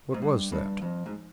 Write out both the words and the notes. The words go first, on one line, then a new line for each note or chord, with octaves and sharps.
What was that?
G#2
G2
G2
F2
G#2